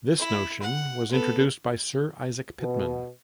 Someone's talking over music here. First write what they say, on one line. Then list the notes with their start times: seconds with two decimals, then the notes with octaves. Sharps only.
This notation was introduced by Sir Isaac Pitman.
0.19 E4
0.62 F#5
1.11 B3 A4
2.61 B2